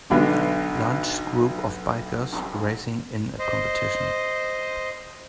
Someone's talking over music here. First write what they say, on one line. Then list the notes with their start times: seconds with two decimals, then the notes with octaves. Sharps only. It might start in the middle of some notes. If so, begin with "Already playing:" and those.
Large group of bikers racing in a competition.
0.10 B1 B2 D3
3.39 C5 D#5